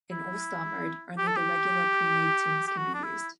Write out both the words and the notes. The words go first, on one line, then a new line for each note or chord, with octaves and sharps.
In All-Star mode, only the regular pre-made teams can be used.
E4
G4
A4
G4
G4
F#4
D4
E4